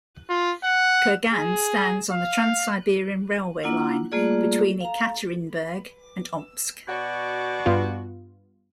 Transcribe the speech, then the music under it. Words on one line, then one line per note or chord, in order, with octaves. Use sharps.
Kurgan stands on the Trans-Siberian Railway line, between Yekaterinburg and Omsk.
F4
F#5
G#4
F5
A#3 D4 E4 F4 F#5
G3 A3 A#3 F4 G#4 D5
F5 A#5
B2 F#4 D5
G2 B3 F4